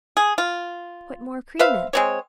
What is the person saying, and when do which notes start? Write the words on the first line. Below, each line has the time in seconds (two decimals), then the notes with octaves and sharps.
Put more cream in.
0.17 G#4
0.38 F4
1.59 B4 C5 E5 F5
1.93 G#3 C4 C#5